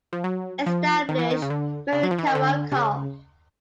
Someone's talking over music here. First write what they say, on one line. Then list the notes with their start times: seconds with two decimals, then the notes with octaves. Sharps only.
Established Marukawa Conf.
0.13 F3
0.24 F#3
0.66 F3
1.09 D#3
1.19 E3
1.31 D#3
1.42 C#3
1.50 D3
1.93 C#3
2.03 F#3
2.11 F3
2.19 E3
2.27 D#3
2.35 D3
2.72 C3
2.77 C#3